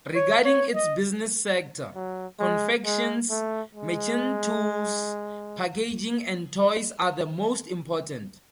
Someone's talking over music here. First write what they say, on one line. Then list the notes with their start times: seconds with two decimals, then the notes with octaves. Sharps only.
Regarding its business sector, confections, machine tools, packaging and toys are the most important.
0.15 C#5
0.45 C#5
0.74 D#5
1.96 F#3
2.39 G#3
2.85 G#3
3.30 A3
3.75 G#3